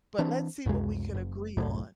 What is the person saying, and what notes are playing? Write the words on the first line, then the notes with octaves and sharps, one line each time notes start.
but let's see what we can agree on,
E3 C4 D4
C#2 F#2 C3 G#3
F#1
G1 C2 F#2 A2